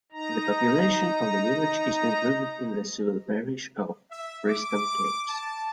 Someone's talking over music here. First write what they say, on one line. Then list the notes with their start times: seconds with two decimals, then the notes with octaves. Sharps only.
The population of the village is included in the civil parish of Preston Capes.
0.12 D#4 A#5
4.11 E5
4.49 D6
5.29 A5